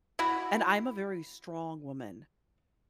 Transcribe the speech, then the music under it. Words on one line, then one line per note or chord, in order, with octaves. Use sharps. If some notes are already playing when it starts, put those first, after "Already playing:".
And I'm a very strong woman
E4 F#4